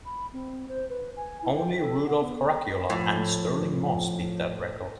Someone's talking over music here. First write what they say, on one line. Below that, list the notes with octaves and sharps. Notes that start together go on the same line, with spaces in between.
Only Rudolf Caracciola and Stirling Moss beat that record.
B5
C4
C5
B4
G#5
E4
G5
A4
F#5
B3
A#5
A2 F3